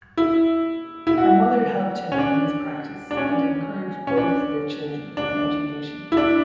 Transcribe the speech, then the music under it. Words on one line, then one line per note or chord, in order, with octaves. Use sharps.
Her mother helped him in his practice and encouraged both their children in education.
E4
E4
F#4
C#4
D4
D4
C#4
C#4
D4
D4
E4
D4